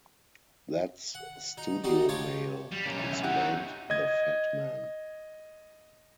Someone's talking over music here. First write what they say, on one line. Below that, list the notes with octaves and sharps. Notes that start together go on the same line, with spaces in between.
"That's studio mail," explained the fat man.
F#5
D#4
G3 D#4 F#4 G4 D#5
F4 G4 C#5 A5 C#6
G3
B1 A#3 C#4
E3
E3 E5
D#4 E4 F#4 G4 F#5
D#5 G#6